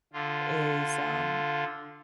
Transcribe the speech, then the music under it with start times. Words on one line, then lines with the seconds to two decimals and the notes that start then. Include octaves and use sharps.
is, um,
0.13 D3 F4